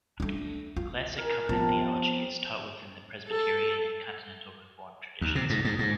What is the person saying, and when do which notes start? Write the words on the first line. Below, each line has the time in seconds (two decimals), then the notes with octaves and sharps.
Classical covenant theology is taught within the Presbyterian and Continental Reformed traditions.
0.20 A3 D4
0.76 F4
1.16 A#4 G#5
1.49 C3 F3 B3 A5
3.28 A4
5.21 D#2
5.35 C3
5.50 G#2
5.65 G#2
5.79 G#2